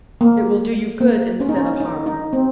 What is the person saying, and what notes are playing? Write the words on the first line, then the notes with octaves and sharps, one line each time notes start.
'It will do you good, instead of harm.
A#3
A#3
C#4
D#4
C#4
D#4
D#4
C4